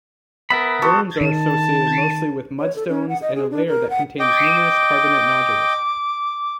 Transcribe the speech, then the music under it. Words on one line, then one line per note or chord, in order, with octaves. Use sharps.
Bones are associated mostly with mudstones and a layer that contains numerous carbonate nodules.
B3 A#4 E5 B5
F#4 A4 C5
D#3 A5
C#5
A4
C#4
F#5
D#5
G#4
D4
A#4
F#5
D#5 G5 D6